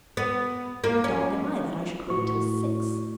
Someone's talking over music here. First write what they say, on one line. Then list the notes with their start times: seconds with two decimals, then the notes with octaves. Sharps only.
"What dog am I that I should wait till six?"
0.17 B3
0.84 A#3
1.04 C#4
2.10 A2 F#4 C#6